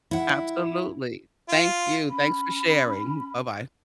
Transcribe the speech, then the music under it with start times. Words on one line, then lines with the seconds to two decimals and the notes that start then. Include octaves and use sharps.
Absolutely. Thank you. Thanks for sharing. Bye-bye.
0.11 E4 F#5
1.49 F4
2.10 C#4 B5